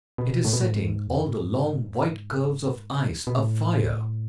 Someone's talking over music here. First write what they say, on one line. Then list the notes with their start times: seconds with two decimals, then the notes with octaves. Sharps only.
It is setting all the long white curves of ice afire.
0.18 B2
0.45 A2
0.53 B2
0.61 A2
0.71 G#2
1.07 E2
1.16 F2
1.25 G#2
3.27 B2
3.38 A2